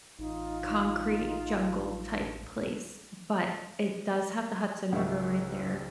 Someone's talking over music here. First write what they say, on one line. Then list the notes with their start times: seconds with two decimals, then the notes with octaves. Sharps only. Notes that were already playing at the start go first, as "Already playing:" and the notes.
concrete jungle-type place, but it does have the Hudson River right there.
0.19 A1 D#4 F4
4.92 C#2 G#2 A#4 D#5 E5 C#6